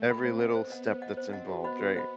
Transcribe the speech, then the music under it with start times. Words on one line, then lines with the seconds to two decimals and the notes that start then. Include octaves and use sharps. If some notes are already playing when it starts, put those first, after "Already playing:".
Every little step that's involved, right?
Already playing: A3
0.09 E5 G5 B5
0.23 C4 C5
0.39 D#5 F#5
0.55 B3 C5
0.70 D#5 F#5
0.86 C5
1.02 D#5 F#5
1.17 C4 C5
1.33 D#5 F#5
1.48 B3 F#4
1.64 C5 D#5 F#5 B5
1.79 F#4
1.95 C5 D#5 F#5 B5